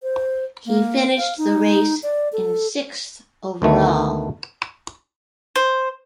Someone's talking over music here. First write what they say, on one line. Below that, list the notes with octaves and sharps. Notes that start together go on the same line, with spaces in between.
He finished the race in sixth overall.
C5
A#3
F5
D#4
D5
A4
D2 D#3 A3 B3
C5